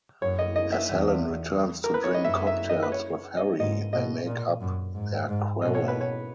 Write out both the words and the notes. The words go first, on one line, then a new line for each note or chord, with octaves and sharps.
As Helen returns to drink cocktails with Harry, they make up their quarrel.
F#2 C#5
D#5
D#5
E5
E2
A#4
B4
C#5
D#5
F#2 E5
E5
D#5
B4
C#5
D#5
G#2 D#5
B2 D#5
A#2
F#2
G#2
G#2
B2 D#5
C#5
B4
C#5